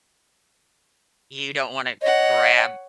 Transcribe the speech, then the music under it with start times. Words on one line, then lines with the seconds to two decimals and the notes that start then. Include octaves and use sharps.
you don't wanna grab
2.02 C#5 D#5 F#5